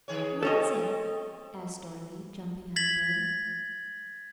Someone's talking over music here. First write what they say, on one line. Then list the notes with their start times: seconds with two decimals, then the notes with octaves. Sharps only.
"What is it?" asked Dorothy, jumping out of bed.
0.08 D#3 G#4 C#5
0.43 C4 A4 C#5 D#5
2.76 G#6 A6 B6 F#7